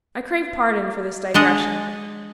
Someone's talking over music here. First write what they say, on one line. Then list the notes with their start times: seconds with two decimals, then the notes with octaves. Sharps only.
I crave pardon for this digression.
1.34 G#3 D4 D#5 F#5